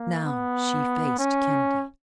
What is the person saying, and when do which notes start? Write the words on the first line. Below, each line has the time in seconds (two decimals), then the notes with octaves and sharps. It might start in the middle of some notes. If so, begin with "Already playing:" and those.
Now she faced Kennedy.
Already playing: A#3
0.25 B3
1.19 C#4